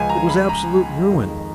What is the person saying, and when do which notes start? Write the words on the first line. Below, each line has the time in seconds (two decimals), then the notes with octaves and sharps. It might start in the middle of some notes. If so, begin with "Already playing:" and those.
It was absolute ruin.
Already playing: C#2 C#3 F3 G#3 G#5
0.09 A#5
0.29 B5
0.49 A#5
1.10 F2 D#3 G#3